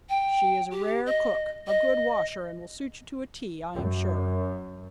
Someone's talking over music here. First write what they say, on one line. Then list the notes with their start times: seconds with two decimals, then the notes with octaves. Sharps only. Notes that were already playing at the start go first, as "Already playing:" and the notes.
"She is a rare cook, a good washer, and will suit you to a T, I am sure."
0.09 G5
0.71 G4
1.06 D#5
1.67 D#5
3.75 F#2